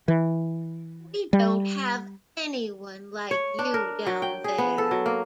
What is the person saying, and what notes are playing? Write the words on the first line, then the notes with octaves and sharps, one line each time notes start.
We don't have anyone like you down there.
E3
G3
C#5
D4
A#4
F#3
G5
G#4
B3
A4
F#3
A#3